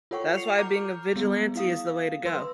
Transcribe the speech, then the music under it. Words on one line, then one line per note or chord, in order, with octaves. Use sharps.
That's why being a vigilante is the way to go.
F4 A4 C#5 F#5 G5 C#6
C7 C#7 F7
A#5 D6 F6 G6
G3 B3 G#4
E4 F5 D#6
F#3 B4 C6 E6